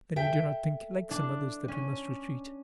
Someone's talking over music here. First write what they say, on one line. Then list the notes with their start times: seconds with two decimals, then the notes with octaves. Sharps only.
"Then you do not think, like some others, that we must retreat?"
0.16 A4 E5 G5
1.11 D4
1.68 C#4